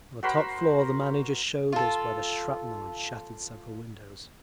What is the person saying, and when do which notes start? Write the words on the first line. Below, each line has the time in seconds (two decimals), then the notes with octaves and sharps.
On the top floor the manager showed us where shrapnel had shattered several windows.
0.23 F#4 A#4 C5 B5
1.72 F4 A4